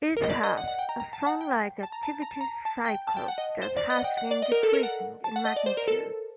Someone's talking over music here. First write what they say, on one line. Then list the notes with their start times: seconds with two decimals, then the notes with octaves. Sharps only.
It has a Sun-like activity cycle that has been decreasing in magnitude.
0.17 A#4
0.23 D#5
0.30 D5
0.43 D#5
0.58 F#5
0.68 F#5
0.79 G5
0.89 A#5
1.00 A#5
1.13 A5
1.27 F#5
1.41 G5
1.83 A5
1.92 A#5
2.03 A5
2.22 A#5
2.31 A5
2.41 A#5
2.65 A5
2.86 G5
3.07 A5
3.17 G5
3.28 F#5
3.38 D#5
3.62 C5
3.77 D5
3.90 D#5
3.98 F#5
4.04 G5
4.18 F#5
4.31 D5
4.42 D#5
4.52 A#4
4.63 A4
4.73 A#4
4.83 F#5
5.24 A5
5.36 F#5
5.45 D#5
5.56 D5
5.66 C5
5.77 A#4
5.88 A4